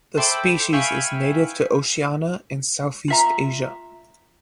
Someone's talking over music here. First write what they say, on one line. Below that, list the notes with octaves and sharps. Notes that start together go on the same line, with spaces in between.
The species is native to Oceania and Southeast Asia.
A4 C5 E5 G5 B5 D6
E5 F5 G5 G#5 B5 C#6
F4 E5 A#5